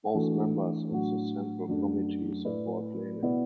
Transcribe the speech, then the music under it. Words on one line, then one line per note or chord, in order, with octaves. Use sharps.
Most members of the Central Committee support Lenin.
E3 A3 D4 F#4 A4
A2 F#3 D4 F#4
F#2 F#3 A3 D4
A2 A3 E4 B4 D5
B2 B3 E4 B4 D5